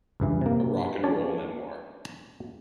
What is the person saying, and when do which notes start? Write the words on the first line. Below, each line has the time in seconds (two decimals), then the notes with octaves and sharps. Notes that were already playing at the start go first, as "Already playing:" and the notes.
A Rock-and-Roll Memoir.
0.20 C#2 G2 E3
0.41 C3 A#3
1.04 C#4 D5 G#5 A5